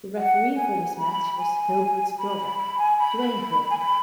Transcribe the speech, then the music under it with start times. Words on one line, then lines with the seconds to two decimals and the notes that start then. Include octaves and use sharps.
The referee for this match was Hildreth's brother, Dwayne Hildreth.
0.16 F#5
0.56 G#5
0.97 B5
1.37 G#5
2.18 B5
2.37 B5
2.58 B5
2.78 G#5
2.98 B5
3.70 G#5
3.79 B5